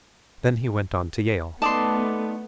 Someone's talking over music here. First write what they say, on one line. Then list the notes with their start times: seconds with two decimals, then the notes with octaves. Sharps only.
Then he went on to Yale.
1.62 A3 B3 D#4 D5 A5 C6